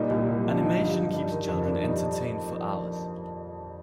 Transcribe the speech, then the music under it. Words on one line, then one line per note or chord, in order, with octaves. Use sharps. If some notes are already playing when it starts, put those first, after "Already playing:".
Animation keeps children entertained for hours.
Already playing: A#2 G3 D#4
C2
C2
F3
D3 D#4
G2
G2
G3
D#3
F2
F2 D4
G3 D#4